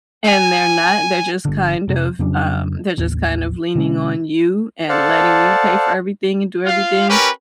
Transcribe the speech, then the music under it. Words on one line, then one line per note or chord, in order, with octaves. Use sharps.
and they're not, they're just, kind of, um, there just kind of leaning on you and letting you pay for everything and do everything,
G#5
G1 D3
F1 C3
F2 C#3 F#3 D4
A1 D#2
B2 D3 G#3 C#4
A4 C5 D5 F5 F#5 A5
F4 F5
C#4 G4 A#4 B4